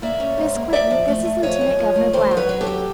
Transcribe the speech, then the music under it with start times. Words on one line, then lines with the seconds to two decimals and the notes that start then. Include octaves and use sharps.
Miss Quinton, this is Lieutenant-Governor Blount.
0.02 A#3 D5 E5
0.20 C#4
0.38 G#2
0.55 A#3
0.73 F3 D5 E5
0.91 F3
1.08 A3
1.25 A3
1.43 F3 C#5 D#5
1.61 F#2
1.79 F3
1.96 A3
2.13 D#3 C5 D5
2.31 F#3
2.37 B4 C#5
2.49 F#3
2.61 G4 A4
2.67 F#3